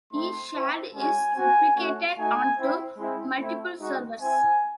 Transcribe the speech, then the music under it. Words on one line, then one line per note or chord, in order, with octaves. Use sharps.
Each shard is replicated onto multiple servers.
A3 C4 D#4 C6
C4 E4
G#3 C#4 F#4 G#5
C4 F#4 G#5
A3 C#4 F#4
A3 D#4 F#4 G#5
C4 E4
G#3 C4 E4
A3 C4 E4
G#3 D#4 F#4
C4 E4 G#5